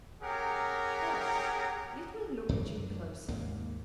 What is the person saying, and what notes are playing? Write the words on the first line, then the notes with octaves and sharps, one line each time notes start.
But let me look at you closer.
C#4 G4 G#4 A#4 F#5 A#5
F#2 F#3 D4
D#2 G#2 A#3